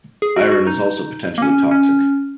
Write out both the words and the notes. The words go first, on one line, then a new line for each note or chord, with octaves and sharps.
Iron is also potentially toxic.
G#4
F#4
F#4
D#4
A#3
C#4
C#4